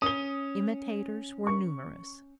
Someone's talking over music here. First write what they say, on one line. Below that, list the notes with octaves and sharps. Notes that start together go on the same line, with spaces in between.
Imitators were numerous.
C#4 D#6 G7
C#6